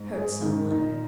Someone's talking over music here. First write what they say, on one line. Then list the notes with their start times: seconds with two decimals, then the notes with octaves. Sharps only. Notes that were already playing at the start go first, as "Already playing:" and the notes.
Hurt someone.
Already playing: G#2
0.14 G#4
0.42 D#3
0.71 A#2 D#4